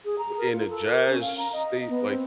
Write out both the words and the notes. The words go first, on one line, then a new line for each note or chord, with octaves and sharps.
in a jazz state? Like,
G#4
A#5
A#4
F4
A4
A#4
C#4
F5
A#5
D#5
B3
C4